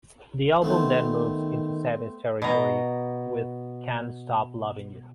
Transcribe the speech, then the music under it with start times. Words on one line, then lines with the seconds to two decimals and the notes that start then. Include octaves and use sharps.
The album then moves into Sammy's territory with "Can't Stop Lovin' You".
0.62 D#3 A3 B3 C4
2.42 B2 A#5